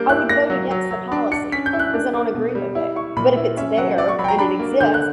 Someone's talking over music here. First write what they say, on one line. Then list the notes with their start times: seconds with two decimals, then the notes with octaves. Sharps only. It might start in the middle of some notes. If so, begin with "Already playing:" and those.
I would vote against the policy because I don't agree with it. But if it's there and it exists
Already playing: G3 A#3 D4 G6
0.09 E4 F#6
0.29 A#3 A#6
0.50 F#3
0.71 F#3
0.91 F#3
1.12 D4
1.32 D4 C#7
1.52 C#4 B6
1.66 G6
1.73 E4
1.79 F#6
1.93 D4
2.14 A#3
2.34 B2
2.55 G3
2.75 E4
2.96 E4 C#6
3.16 A#2 B5
3.37 E4
3.57 C#4 E5
3.77 F#3 F#5
3.98 F#3 D5
4.08 C#6
4.18 F#3 B5
4.24 G5
4.28 A#5
4.39 D4 B5
4.60 A#3
4.80 D3 G6
4.94 F#6